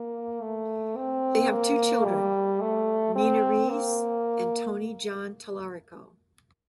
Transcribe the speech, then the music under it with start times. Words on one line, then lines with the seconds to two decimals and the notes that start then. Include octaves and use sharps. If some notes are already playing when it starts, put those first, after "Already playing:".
They have two children, Nina Reyes and Tony John Tallarico.
Already playing: A#3
0.41 A3
0.96 C4
1.51 A#3
2.06 G3
2.61 A3
3.16 C4
3.70 A#3